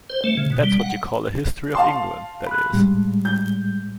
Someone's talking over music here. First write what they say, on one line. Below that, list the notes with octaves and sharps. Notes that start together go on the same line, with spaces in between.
That’s what you call a History of England, that is.
C5
A3
C#3
B2
G3
F#5
F5 A5 C6
B5 F#6
A2 G3 G#3
G6